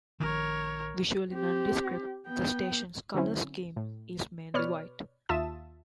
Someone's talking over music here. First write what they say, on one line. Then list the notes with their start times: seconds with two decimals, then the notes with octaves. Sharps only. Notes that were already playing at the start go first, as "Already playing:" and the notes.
Visually nondescript, the station's colour scheme is mainly white.
0.20 A#1 D#3 A#4 C#5
1.30 C4 G4
2.27 B3 G5
3.14 D3 F#3 C4 C#4 E4
3.76 A2
4.54 B2 B4 C#5 D5 F6
5.29 D#2 F4 E5 A5 D#6 E7